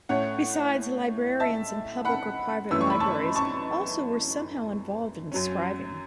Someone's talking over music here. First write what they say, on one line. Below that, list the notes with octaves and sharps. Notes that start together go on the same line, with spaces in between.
Besides, the librarians in public or private libraries also were somehow involved in scribing.
A2 A3 C#4 C#5 F#5
E5 A5
F#5 B5
F#2 E3 A3 C#4 E6
C#6
B5
A5 C#6
A5 C#6
F#2 F#3 C#4